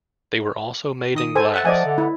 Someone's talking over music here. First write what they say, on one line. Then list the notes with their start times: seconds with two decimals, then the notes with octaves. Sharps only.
They were also made in glass.
1.15 D#3 D#5 D#6
1.35 A4 C5 G#5
1.53 E5 F#5 A5
1.65 F3 D5 D#5 G#5
1.86 D3
1.98 E4